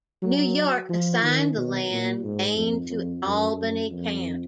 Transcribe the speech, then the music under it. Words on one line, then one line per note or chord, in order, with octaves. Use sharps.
New York assigned the land gained to Albany County.
F#3
F3
D#3
B2
A#2
G#2
F2
F2
F#2
F#2
F2